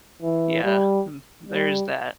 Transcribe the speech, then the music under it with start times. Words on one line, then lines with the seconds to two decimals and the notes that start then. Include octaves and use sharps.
Yeah, hmm, there's that.
0.22 E3
0.64 G3
1.48 G3